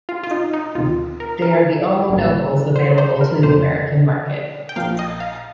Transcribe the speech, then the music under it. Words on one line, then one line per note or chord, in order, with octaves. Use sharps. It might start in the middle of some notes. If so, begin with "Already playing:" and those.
They are the only Nobles available to the American market.
F4
F4
D#4
D#4
D2 C3 D#3 F4
A#4
A#4
A1 G2 D3 G3 A#3
C5
C5
A#4
F2 C3 F3 A#3 C5
G5
A#1 A#2 F3 A#3 F5
D#5
F5